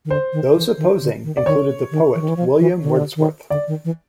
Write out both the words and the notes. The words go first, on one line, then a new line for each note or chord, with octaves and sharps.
Those opposing included the poet William Wordsworth.
D#3
D3 C5
D#3
E3
D#3
D3
D#3
D5
D#3 C#5
D#3
E3
D#3
E3
F3
E3
D3
D#3
D3
D#3
D3 D5
D#3
E3